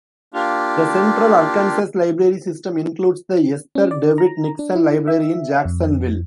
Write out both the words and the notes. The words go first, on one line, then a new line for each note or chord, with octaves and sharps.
The Central Arkansas Library System includes the Esther Dewitt Nixon Library in Jacksonville.
A#3 D4 F4 G4
C#4
D5
A#5
D4
E4
E5
F2